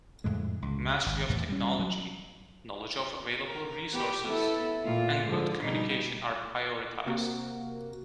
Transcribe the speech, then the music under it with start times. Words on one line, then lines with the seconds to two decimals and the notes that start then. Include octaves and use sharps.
Mastery of technology, knowledge of available resources, and good communication are prioritized.
0.24 F2 A2 D3 G#3
0.62 C#2
1.06 G#1
1.29 E2 A2 C3 E3
1.49 G3 C#4
1.79 F#3
3.45 A#4
3.93 B3 G4 B4
4.26 B3 E4 A4
4.85 A#2 F4
5.27 G#2 D3 F3
5.64 B2 G3 D#4
7.06 C3 A#3 F#4